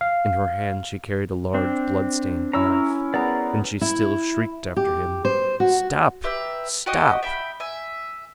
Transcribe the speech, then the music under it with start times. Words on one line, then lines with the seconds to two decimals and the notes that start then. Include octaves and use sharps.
In her hand she carried a large blood-stained knife, and she still shrieked after him, "Stop! stop!"
0.01 F5
1.54 C4 D4
2.53 C#4 E4 A#5 E6
3.14 B3 G#4 D5 A#5
3.81 E4
4.77 G4
5.25 C5
5.60 F#4
6.24 G4 B4 E5 A#5
6.86 F#4 G4 D#5
7.23 E5 G5 B5
7.60 E5 G#5